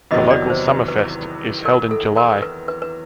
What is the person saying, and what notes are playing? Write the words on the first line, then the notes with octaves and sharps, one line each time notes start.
The local Summerfest, is held in July.
E2 C3 D#3 F#3 B3 D#5
D5
C5
B4
B4
A#4
A4
A#4
B4
B4
B4